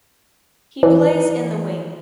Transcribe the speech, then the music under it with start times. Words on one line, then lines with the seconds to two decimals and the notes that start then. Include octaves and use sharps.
He plays in the wing.
0.83 E3